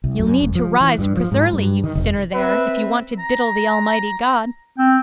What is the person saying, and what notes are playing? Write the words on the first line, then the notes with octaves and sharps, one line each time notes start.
You'll need to rise precious early you sinner there, if you want to diddle the Almighty God.
C2
F#2
F1
F3
E3
G2
F3
G#2
G2
D#3
F1
C4 B4 E5
A#5
C4 G5